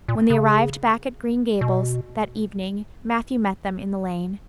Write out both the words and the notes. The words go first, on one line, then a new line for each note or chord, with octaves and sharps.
When they arrived back at Green Gables that evening Matthew met them in the lane.
A#2
C#3
B2